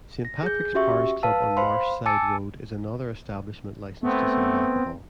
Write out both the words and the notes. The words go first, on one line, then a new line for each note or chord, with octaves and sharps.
Saint Patrick's Parish Club on Marshside Road is another establishment licensed to serve alcohol.
A#6
G#4 G6
C#4 F#4 G4 E5 C#6
B4 F5 A5 E6
C5 F5 B5 C6
G#5 A5 D6 E6 A6 C#7
A3 B3 C4